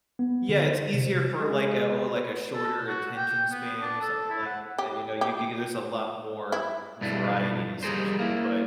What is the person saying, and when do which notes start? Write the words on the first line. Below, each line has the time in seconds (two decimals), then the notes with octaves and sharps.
Yeah, it’s easier for, like, a or, like, a shorter attention span or something like that, you know, you could get there’s a lot more variety, essentially. But,
0.19 B3
0.49 D3
0.70 C5
0.94 C3
1.38 G#3
1.87 B3
2.53 A4
2.88 F#4
3.17 G5
3.51 B3
3.81 D4
4.01 A4
4.30 E4
4.46 F#5
4.78 G4
5.21 G4
6.52 E4
7.01 B1 G2 D4 E4
7.83 G3 G#4 A#4 C5
8.19 A#3 E4